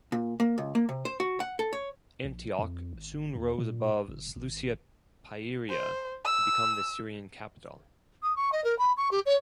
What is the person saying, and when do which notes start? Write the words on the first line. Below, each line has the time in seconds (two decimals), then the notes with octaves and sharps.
Antioch soon rose above Seleucia Pieria to become the Syrian capital.
0.12 A#2
0.40 A#3
0.58 C#2
0.75 A#3
0.89 C3
1.05 C5
1.20 F#4
1.40 F#5
1.59 A4
1.73 C#5
2.24 A#1
2.59 F2
2.93 G#1
3.35 D#2
3.58 A#2
4.08 G1
4.36 G#1
5.70 C5
6.25 E6
8.22 D#6
8.36 C#6
8.52 D#5
8.64 A#4
8.78 B5
8.97 C#6
9.11 G4
9.26 C#5